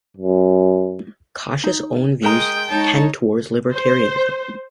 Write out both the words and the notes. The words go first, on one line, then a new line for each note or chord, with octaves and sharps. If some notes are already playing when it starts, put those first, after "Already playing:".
Cosh's own views tend towards libertarianism.
F#2
D#4
G#3 A#4 G5 A#5 D#6
G#3 D#4 C#5 A5
C5